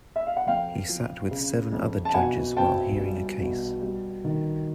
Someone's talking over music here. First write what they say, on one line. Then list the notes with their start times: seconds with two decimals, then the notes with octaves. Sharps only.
He sat with seven other judges while hearing a case.
0.16 E5
0.27 F5
0.37 F#5
0.47 F2 F5 G5
0.89 F3
1.31 C#3
1.72 F2
2.05 A5
2.14 B2 F#5 G#5
2.57 C4 G5 A5
2.98 G3
3.40 B2
3.82 G3
4.24 D#3